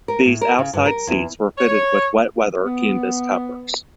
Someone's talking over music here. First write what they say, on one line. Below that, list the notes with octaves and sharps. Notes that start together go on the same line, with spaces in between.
These outside seats were fitted with wet-weather canvas covers.
A#4
A2
A#4
C#3
G2
A#4
E2
C#5
B3